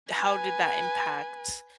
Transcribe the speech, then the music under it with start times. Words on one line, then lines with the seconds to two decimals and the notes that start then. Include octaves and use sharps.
how did that impact
0.13 B4 G#5